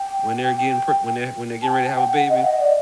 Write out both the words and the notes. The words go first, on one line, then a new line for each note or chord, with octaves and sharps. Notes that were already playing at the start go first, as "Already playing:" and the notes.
when they're getting pre when they're when they're getting ready to have a baby.
Already playing: G5
G5
A5
G5
G5
F#5
D#5
F#5
D#5
D5